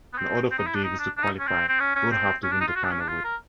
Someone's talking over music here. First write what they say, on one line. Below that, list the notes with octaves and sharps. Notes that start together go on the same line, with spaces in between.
In order for Davis to qualify, he would have to win the final race.
B3
C4
C4
D#4
E4
D4
D#4
D4
D4
D#4
C#4
C4
C4
C#4
C#4
C4
C#4
D4
D#4
F4
F#4
D4
C#4
D4
F4
A#4